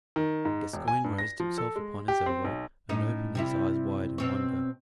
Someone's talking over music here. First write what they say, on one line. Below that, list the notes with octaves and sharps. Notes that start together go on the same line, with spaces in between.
Gascoyne raised himself upon his elbow, and opened his eyes wide in wonder.
D#3
G#2
E1
G#5
G2
A#6
F3
A4
G#3
G4
C4
B1
A2 C#4 D#4
C3 G3 E4
B2 C4 C#5